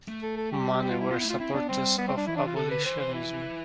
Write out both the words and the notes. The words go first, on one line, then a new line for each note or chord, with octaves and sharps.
Many were supporters of abolitionism.
A3
A4
A4
G3 G4
G4
F4
E4
B3 F4
A3 E4
F4
C4 E4
B3 D4
G3 C4
B3
C4
D4
E3 E4
D4
F4
D3 A4
B4
E3 C5
C5
E4